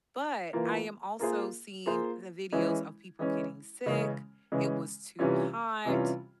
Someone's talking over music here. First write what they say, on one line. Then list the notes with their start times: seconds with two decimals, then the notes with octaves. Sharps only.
but I am also seeing the videos of people getting sick, it was too hot,
0.53 E3 A#3 F4
1.19 A#3 F4 G#4 C5
1.86 A#3 F4 G#4 C5
2.52 E3 G#3 C#4 E4
3.19 E3 G#3 C#4 E4
3.86 C#3 E3 G#3 C#4
4.52 C#3 E3 G#3 C#4
5.19 C3 E3 G3 C#4 F4
5.85 C3 E3 G3 C#4 F4